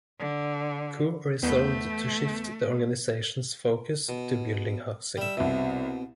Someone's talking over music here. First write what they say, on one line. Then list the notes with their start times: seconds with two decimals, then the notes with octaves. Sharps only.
Koo resolved to shift the organizations focus to building housing.
0.19 D3
1.43 E2 A3 B3 G6
4.09 B2
5.17 G3 E5
5.37 C2 B2 C4 E5